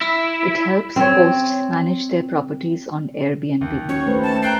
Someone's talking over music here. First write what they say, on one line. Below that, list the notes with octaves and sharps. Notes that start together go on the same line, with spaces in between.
It helps hosts manage their properties on Airbnb.
E4
C4 C#5
D#2
C#4 F#4 C#5
A3 B4 C5
A5
G5 A#5 F#6 C7